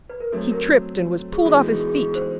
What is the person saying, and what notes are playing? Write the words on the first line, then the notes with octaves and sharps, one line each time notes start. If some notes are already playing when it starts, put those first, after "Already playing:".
He tripped and was pulled off his feet.
B4
A#4
F#3 A3 C4 A4
A#4
A4
G#4
E3 G#3 B3 D#4 F#4 A4
G#4
G#4
G#4
C5